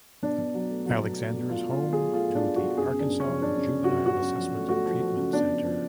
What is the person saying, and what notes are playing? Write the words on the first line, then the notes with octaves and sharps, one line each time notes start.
Alexander is home to the Arkansas Juvenile Assessment and Treatment Center.
B2 D4
B2
F#3
A3
F#3
B2
A3
B2
B2 F4
A3 F4
B2
F#3 G#4
A3 F4
B2
D4
A3
F#4
B2
F#2 G#4
C#3
D4
F#2
C#4
F3
F#2 D4
C#3
C#3
F#4
F#2
C#3 F#4
F#2
F3
A3
A3 F#4
F3
F3
C#3
B3 D4
F3
F3